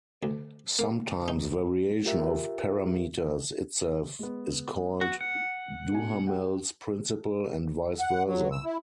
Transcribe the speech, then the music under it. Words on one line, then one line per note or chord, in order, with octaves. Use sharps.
Sometimes variation of parameters itself is called Duhamel's principle and vice versa.
D2
A#3
D#4
F4 G4 A#4 E5
G#3 B3
F#4
F#5
B2 D4 G#5
G4 F#5 G5
F#5
F#3
E6
E4